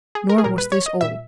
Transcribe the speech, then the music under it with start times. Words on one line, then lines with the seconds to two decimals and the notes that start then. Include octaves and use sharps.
Nor was this all.
0.15 G#4
0.29 A#4
0.38 G#4
0.44 A#2 G3 A#4
0.58 B4
0.72 C#5
0.86 D#5
1.01 A#2 G3 E5